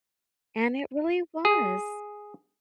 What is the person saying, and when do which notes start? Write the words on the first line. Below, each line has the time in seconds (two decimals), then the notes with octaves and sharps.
and it really was.
1.45 G#4